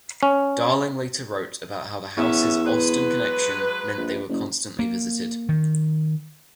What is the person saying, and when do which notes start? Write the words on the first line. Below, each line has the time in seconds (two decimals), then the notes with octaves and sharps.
Darling later wrote about how the house's Austen connection meant they were constantly visited.
0.23 C#4
2.17 E2 B3 C#4 E5
2.64 F#3 G#3 B4
3.97 A#1
4.29 F#1
4.79 A#3
5.49 D#3